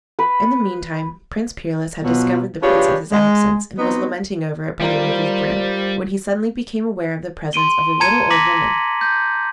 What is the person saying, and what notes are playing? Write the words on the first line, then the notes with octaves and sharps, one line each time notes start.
In the meantime Prince Peerless had discovered the Princess's absence, and was lamenting over it by the river's brim, when he suddenly became aware of the presence of a little old woman.
B4
B2 F3 F#3
F3 D4 G4 G#4 B4 C#5
G#3
F#3 B3 C4 D#4
G3 F4 A#4 C5
C6 D7 D#7 G7
A5 A#5 G#6 C#7 D#7
A#5 D6 A#6 B6 F#7
G6